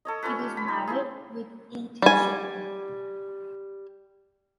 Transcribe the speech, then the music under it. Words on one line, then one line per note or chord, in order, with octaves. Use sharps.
He was married with eight children.
A4 C#5 D#5
C#4 F4 A4 B4
G4
B5
D#4
C4 E4 G#4
G3 G#5